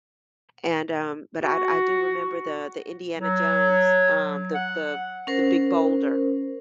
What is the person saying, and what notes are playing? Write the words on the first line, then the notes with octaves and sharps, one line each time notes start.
and, um, but I d I do remember the the Indiana Jones, um, the the the big boulder.
F#4
F#3
F#5
C#4 A#4 C5